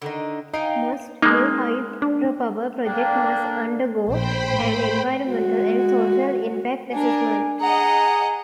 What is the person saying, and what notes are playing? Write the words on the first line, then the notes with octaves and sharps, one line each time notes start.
Most new hydropower project must undergo an Environmental and Social Impact Assessment.
D3 D#3 D#4
D#4 F5 G5 G#5
G#3 A#3 D#4
D4
A#2 D3 A#3 D4 G5
A#1 C5 G5 B5
A2 A3
G#3 F#4
D4 A#4 G#5
G#4 D#5 F#5 A#5